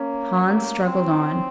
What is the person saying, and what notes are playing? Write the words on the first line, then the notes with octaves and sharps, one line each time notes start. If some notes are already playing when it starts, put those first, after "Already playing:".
Hans struggled on.
Already playing: A#3 C#4
A#3
C4